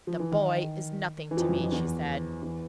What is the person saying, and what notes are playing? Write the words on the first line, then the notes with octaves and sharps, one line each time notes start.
"The boy is nothing to me," she said.
F3
E3
D#3
E3
F2 F3
F#2 F#3
F2 F3
E2 E3
E2 E3